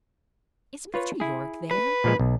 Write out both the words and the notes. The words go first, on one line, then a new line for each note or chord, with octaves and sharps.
"Is Mr. Yorke there?"
F4 B4 C#5
E4 G#4
B4
A#2 F3 G#3
B1